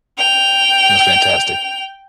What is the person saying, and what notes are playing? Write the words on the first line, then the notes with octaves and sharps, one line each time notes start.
It was fantastic.
G5 F7